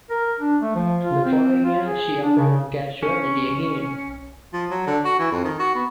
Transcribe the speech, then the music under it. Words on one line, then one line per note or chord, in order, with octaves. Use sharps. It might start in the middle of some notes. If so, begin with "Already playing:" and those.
The following year, she appeared on "Casualty" again.
A#4
D4
A3
F3
F4
C4
F4
G#4
D4
C#3
C#4
F3
F#3
D3
F#4
E3
F2
D#3
F#4
B3